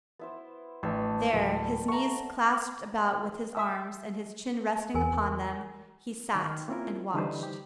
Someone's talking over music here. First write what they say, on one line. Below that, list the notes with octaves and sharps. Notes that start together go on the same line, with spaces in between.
There, his knees clasped about with his arms, and his chin resting upon them, he sat and watched.
B3 E4 C5
A1 D4 E6
D1 A4 B4
A3 F#5 A#5 C#6
E5
E2 G#4 A#4 G#5
D#3 G5 F6
A#3 C4 C#4 E4 F4 A#4
D3 E3 G3 D#4 B4 C5
G4